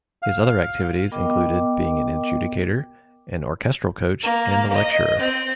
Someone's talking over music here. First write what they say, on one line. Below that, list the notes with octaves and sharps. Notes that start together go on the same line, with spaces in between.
His other activities included being an adjudicator, an orchestral coach and a lecturer.
F5
B3 A#4 D#5 G5 D6
A#3
D#5
C4